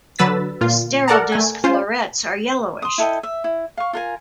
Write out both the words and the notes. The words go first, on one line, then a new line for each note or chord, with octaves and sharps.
The sterile disc florets are yellowish.
D3 F#3 B4 E6 A6 B6
A#2 F4
A4 A#4 D5 F#5 A5 A#5
A3 G#5
C#4 F4 C5
C6 D#6
E4 A4 D#5 G5
E5
E4
F5 C#6
F4 A#4 G#5